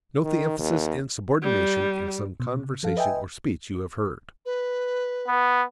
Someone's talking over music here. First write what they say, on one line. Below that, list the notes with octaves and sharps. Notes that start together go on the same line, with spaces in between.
Note the emphasis and subordination in some conversation or speech you have heard.
D#3
D#2
G3
B2
C#3
F3 A4 F5
B4 D#5 E5 G5 G#5
B4
B3